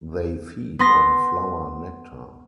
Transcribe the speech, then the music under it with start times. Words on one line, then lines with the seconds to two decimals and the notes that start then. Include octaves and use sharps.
They feed on flower nectar.
0.79 B3 C6 A#6